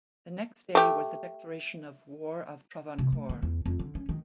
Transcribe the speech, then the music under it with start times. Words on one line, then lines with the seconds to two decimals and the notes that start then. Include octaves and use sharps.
The next day was the declaration of war of Travancore.
0.75 A3 G4
2.99 C3
3.12 A3
3.29 D3
3.42 E2
3.66 F2
3.79 D3
3.95 C#4
4.09 D#3